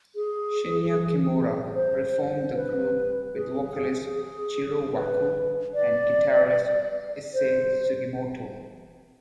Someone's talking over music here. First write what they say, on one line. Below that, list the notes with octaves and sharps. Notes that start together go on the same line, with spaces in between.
Shinya Kimura re-formed the group with vocalist Jiro Waku and guitarist Issei Sugimoto.
G#4
C5
B4
G#4
G#4
B4
D5
C5